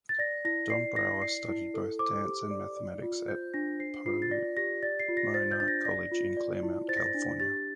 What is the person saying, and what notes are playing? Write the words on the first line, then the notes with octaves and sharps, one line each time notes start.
Dombrower studied both dance and mathematics at Pomona College in Claremont, California.
A6
D5 A#6
E4 A#6
D5 C7
E4 A#6
D5 C7
E4
A4
C5 D6
G4
D5
D5
F4
C5 G6
D4 A#6
C5 C7
F4 C7
A6
D5 A#6
G4 A#6
D5 A6
C7
F4
A#6
C5 A6
G6
D4 A6
A#6
D5 A#6
F4
D5
E4
C5 A6
A#6
A6
D4
G4 A6